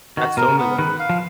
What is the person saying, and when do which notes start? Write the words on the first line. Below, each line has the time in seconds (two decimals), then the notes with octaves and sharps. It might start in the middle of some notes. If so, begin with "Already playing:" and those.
That's totally what it is.
0.17 D#3 F#4
0.37 B2 A#4
0.48 C#3
0.58 B3
0.78 D#3 B4
0.99 F5
1.09 F3